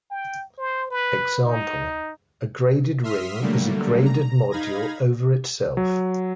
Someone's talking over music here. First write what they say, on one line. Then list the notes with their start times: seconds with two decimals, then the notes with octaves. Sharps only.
Example: a graded ring is a graded module over itself.
0.11 G5
0.58 C5
0.91 B4
1.46 D#4
3.03 E5 C6 D#6 F6 B6
3.41 D3 F#3 G3 A3 A#3
4.05 A#5
4.51 D#4 F5 B5 G#6 A#6
5.77 F#3